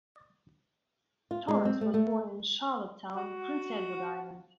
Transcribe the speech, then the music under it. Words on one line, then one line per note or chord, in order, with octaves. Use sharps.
Torrens was born in Charlottetown, Prince Edward Island.
F4
G#3
C4
A3
A3
F#4